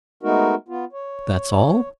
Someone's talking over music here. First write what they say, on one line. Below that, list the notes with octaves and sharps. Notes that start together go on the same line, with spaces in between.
"That's all?"
G#3 A3 B3 D#4 F#4 A#4
B3 F4
C#5